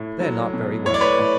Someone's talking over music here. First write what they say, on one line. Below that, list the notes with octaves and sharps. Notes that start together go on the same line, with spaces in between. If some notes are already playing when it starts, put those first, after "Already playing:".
They're not very well off.
Already playing: A2
F#3
B2
A2 C#5
D5
B4 C#5
A2